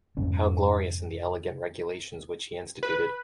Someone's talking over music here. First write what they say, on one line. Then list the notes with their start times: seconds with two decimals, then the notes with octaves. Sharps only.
How glorious in the elegant regulations which he instituted!
0.17 F2 G#2 C3 C#4
2.83 B4